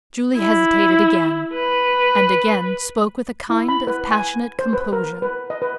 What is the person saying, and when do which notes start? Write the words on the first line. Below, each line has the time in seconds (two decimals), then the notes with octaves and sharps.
Julie hesitated again, and again spoke with a kind of passionate composure.
0.36 E4
1.54 B4
3.49 E4
3.69 B5
3.87 B4
4.11 G#5
4.59 C5
4.73 B4
4.93 A#4
5.22 B4
5.50 D#5
5.62 B4